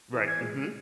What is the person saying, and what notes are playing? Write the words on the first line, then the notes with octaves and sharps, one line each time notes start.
Right, mhm.
E3
G#6
G#3